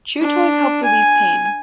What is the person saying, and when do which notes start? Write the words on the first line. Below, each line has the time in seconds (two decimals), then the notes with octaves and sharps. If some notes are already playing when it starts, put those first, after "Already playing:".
Chew toys help relieve pain.
0.21 D4
0.84 G#5